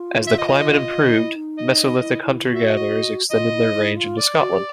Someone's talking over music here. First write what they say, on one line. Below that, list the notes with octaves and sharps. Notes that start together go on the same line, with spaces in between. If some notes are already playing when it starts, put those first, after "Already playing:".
As the climate improved, mesolithic hunter-gatherers extended their range into Scotland.
Already playing: F4
E5
D#5
D#5
D#5
D#5
D#4
E4
D#4
D#5
E4
E4
F#4
E5
D#5
D#5
F4 D#5
E4
E4
F4
D5
F#4
G4